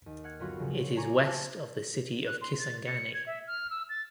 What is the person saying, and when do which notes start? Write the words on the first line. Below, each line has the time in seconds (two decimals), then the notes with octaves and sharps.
It is west of the city of Kisangani.
0.06 D#2
0.24 F#5 F6 G#6 C#7
0.40 G1 F#3 B3 F4 F#4
0.59 A#1 C#3 F#3
0.97 G#5 A#5 C#6 D6
1.25 B4 C5 A5
2.27 F#6
2.42 C6
2.59 A6
2.86 C#7
3.14 G#6
3.26 E5
3.47 F6
3.70 E6
3.89 A6